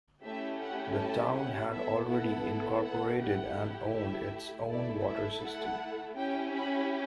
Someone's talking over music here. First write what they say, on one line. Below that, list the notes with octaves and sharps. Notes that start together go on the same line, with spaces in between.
The town had already incorporated and owned its own water system.
A3 C#4 E4 G4 E5
F#5
A5
F#5
B3 E4 A4 E5
F#5
F#5
A3 E4 G4 F#5
E5
A3 E4 A4 D5
E5
F#5
C#4 E4 G4 G5
B5